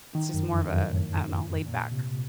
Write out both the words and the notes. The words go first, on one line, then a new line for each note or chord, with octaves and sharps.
it's just more of a I don't know, laid back,
D#3
F#2
F2
F#2
A2
A#2
C3